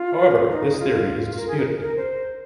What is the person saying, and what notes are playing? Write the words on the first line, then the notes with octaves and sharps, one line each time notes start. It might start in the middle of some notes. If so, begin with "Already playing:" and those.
However this theory is disputed.
Already playing: F4
D#4
F4
A#4
G#4
A#4
A#4
C5